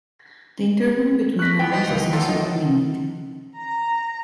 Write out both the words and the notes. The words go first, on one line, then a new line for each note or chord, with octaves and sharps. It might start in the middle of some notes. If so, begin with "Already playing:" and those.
The interval between rounds is also one minute.
C#6 F#6 A#6 B6
B3 G5
D#4 C5 B6
C#2 A#3
F#2 F4 A4
D#4
A#5